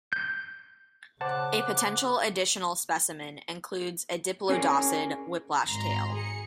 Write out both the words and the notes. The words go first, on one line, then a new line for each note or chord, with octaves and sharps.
A potential additional specimen includes a diplodocid whiplash tail.
G6
C#3 C5 F#5 A5 D6 F#6
C#4 G#4 A#4 D5
G#1 A#5 C6
G#4 C#7